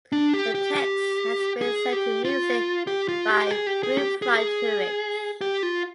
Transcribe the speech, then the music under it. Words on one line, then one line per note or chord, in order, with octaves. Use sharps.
The text has been set to music by Winfried Heurich.
D4
G4
G4
G4
G#4
G4
F4
G4
F4
G4
G#4
G4
G#4
G4
G#4
G4
G#4
G4
F4